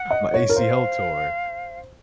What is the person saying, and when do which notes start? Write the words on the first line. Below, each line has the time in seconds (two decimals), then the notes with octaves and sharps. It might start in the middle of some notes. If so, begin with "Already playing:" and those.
my ACL tore,"
Already playing: F#5
0.11 D#5
0.34 C#5
0.49 A#4
0.56 C5 F5